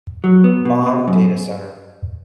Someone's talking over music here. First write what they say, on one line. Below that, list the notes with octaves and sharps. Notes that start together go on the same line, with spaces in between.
Bomb Data Center.
F#3
B3
B2
B2
F#2